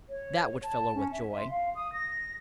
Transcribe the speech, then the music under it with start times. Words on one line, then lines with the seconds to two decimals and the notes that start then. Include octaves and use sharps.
"That would fill her with joy."
0.09 C#5
0.63 A5
0.95 C#4
1.12 E5
1.38 C6
1.50 F5
1.75 D#6
1.93 A#6